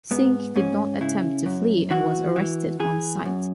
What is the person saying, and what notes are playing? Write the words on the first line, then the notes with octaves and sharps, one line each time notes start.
Singh did not attempt to flee and was arrested on site.
G#2 B3
G#2 C#4
C#3 E4
F#2
E3 F#4
E3
E3 G#4
F#2